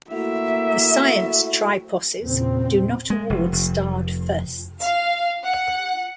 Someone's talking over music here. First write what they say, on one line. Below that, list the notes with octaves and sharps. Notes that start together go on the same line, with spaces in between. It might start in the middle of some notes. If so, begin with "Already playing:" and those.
The science Triposes do not award Starred Firsts.
A3 A#3 E4 F#4 E5
E2 A#2 C#3 C4
G#3
F1
F1
F5
F#5